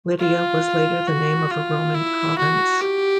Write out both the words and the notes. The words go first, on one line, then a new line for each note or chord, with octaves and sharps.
Lydia was later the name of a Roman province.
F4
F#4
F4
E4
F#4
G4